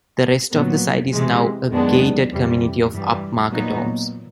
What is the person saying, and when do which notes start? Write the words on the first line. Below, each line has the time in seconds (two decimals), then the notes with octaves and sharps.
The rest of the site is now a gated community of up-market homes.
0.52 A#2 F#3 B3
1.12 C3 E3 G#3
1.72 F#2 D#3 G#3 B3 D4
2.32 F2 C3 E3 G3
2.91 G2 E3 G3
3.52 A#2 F#3 B3 D#4